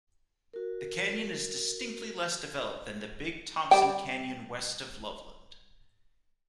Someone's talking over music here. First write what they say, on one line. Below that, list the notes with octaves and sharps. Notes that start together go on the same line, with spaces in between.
The canyon is distinctly less developed than the Big Thompson Canyon west of Loveland.
F#4 A#4
G3 G5